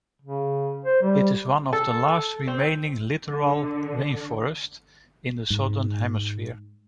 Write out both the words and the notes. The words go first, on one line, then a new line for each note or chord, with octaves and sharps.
It is one of the last remaining littoral rainforests in the Southern Hemisphere.
C#3
C5
G3
A4
C4
D3
G#2